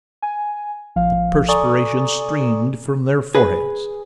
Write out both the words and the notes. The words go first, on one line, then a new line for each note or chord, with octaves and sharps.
The perspiration streamed from their foreheads.
G#5
A1 F3 F5
A4 D5 G#5 A#5 C#6 D#6
G#4 B4